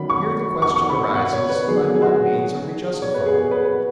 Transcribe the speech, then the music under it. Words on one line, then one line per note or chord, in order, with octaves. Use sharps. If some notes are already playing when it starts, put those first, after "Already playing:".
Here the question arises by what means are we justified?
Already playing: D#3 F#3 C#4 B5
C#6
C#6
C#6
B5
B5
F#5
C#5
B4
D#3 F#3 B3 G#4
G#4
F#4
F#4
C#5
B4
G#4
G#4
B4
B4